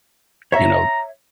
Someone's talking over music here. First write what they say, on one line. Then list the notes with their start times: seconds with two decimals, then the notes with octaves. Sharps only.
you know
0.52 C#5 E5 A#5